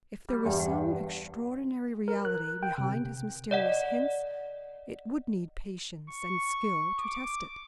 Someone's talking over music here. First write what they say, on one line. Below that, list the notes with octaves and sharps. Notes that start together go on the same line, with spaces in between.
If there was some extraordinary, reality behind his mysterious hints, it would need patience and skill to test it.
F#3 G3
E2 G2 G4
F#5
A#4
F#6
G5
C3
D5 D#5 F#5
C#6
D6